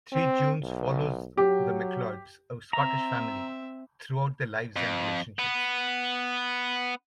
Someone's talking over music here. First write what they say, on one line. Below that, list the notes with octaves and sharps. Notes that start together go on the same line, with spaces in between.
"Three Junes" follows the McLeods, a Scottish family, throughout their lives and relationships.
C4
B1
F#3 G4
C4 E5 A#5
F2
B3